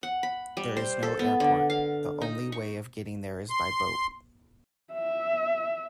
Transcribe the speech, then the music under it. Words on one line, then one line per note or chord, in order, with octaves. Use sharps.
There is no airport; the only way of getting there is by boat.
F#5
B5
G3
C5
A4
B3
D3
F5
D#4
C#6
C6
E5